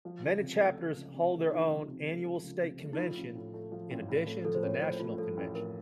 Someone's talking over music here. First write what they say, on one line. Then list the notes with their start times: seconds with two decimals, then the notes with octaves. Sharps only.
Many chapters hold their own annual State Convention in addition to the National Convention.
0.05 F3
0.22 C#2
0.41 C3
0.59 A3
0.78 F3
0.97 C#2
1.14 C3
1.33 A3
1.51 F3 D#4
1.70 C#2
1.88 C3
2.07 A3
2.25 F3
2.43 C#2
2.61 C3
2.80 A3
2.93 D#4
2.98 F3 F4
3.17 A1
3.35 A2
3.54 A3
3.72 F3
3.91 A1
4.09 A2
4.27 A3
4.45 F3 A4
4.55 C5
4.63 A1 C#5
4.74 A#4
4.81 A2 C5
5.00 A3 F4
5.18 F3 A4
5.37 A1
5.55 A2 A#4